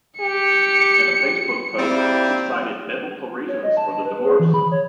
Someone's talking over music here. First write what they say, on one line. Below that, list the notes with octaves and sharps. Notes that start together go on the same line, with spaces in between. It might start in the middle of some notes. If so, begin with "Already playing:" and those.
In a Facebook post, she cited "Biblical reasons" for the divorce.
G4 C#7
G3 A#3 C4 E4
C#5
D#5
A5
A5
B4
G#4
E3
B5
C#5